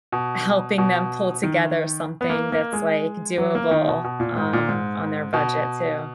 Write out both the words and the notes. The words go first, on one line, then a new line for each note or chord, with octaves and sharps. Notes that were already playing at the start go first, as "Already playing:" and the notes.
helping them pull together something that's, like, doable, um, on their budget, too.
B2
B2
D#3
B3
A#3
A#3
G#3
F#3
A#3
D#3
B2
B2
A#2
G#2
A#2
G#2
B2